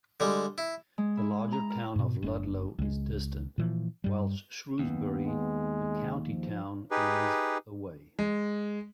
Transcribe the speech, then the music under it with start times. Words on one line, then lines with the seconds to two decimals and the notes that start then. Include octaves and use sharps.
The larger town of Ludlow is distant, whilst Shrewsbury, the county town, is away.
0.20 D3 G3 G#3
0.58 E4
0.98 G#3
1.17 E4
1.52 A#5
1.70 A#4
1.96 G#2 B2
2.22 F#1 C4 D4
2.79 C#2 G#3
3.58 A#2 E3 F3
4.04 G2 G3
4.79 D#2 B3
5.25 G#3
6.24 F3
6.91 D#4 G4 G#4 B4
8.19 G#3